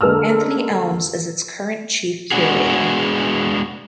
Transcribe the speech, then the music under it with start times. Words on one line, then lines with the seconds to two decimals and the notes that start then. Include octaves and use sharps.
Anthony Elms is its current Chief Curator.
0.01 D3 G#3 A#3 A4 E6 F6
2.31 G#3 B3 D4 F#4 G#4